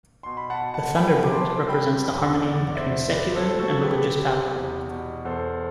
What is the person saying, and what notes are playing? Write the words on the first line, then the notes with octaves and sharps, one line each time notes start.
The thunderbolt represents the harmony between secular and religious power.
B2 C6
B5
F#5 A5
B2
F#5 A5
B3 G5 B5
D6
B2 A5 C6
G3 G5 B5
E2
E2 D5 F#5
D5
E2 C5 E5
C3 B4 D5
A4 C5
C4
F#4 A4
F#3 G4 B4
C3
E2
B2
E2 A4 C5